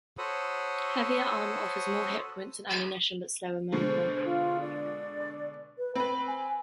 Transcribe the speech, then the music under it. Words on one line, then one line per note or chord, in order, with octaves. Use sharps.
Heavier armor offers more hit points and ammunition but slower movement.
F#4 A4 C5 C#5 B5 D#6
B2 D3 G#3 C5
F4
D5
B4
C4 B4 B5
G#5